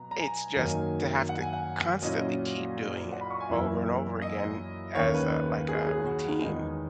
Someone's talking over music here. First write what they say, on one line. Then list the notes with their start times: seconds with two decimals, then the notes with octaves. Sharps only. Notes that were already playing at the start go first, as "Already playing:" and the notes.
it's just to have to constantly keep doing it over and over again as a like a routine.
Already playing: B2 F#3 B3 A#5
0.11 A#5
0.19 G#5
0.55 F#2 D#3 F#3 A#3 D#4 G#5
1.29 F#5
1.41 G#5
1.53 F#5
2.02 A#2 F#3 C#4 E4 D#5
3.12 F#5
3.21 B5
3.31 C#6
3.40 G#5
3.49 F#2 E3 A#3 E4 E5
4.22 D#5
4.95 D#2 D#3 A#3 C#4 C#5
5.14 B4
5.69 G#4
5.87 G#4
6.06 F#4
6.41 E2 D#3 G#3 B3 D#4